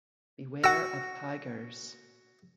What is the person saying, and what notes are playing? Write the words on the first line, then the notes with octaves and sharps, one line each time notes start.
Beware of tigers.
F#4 F#5 E6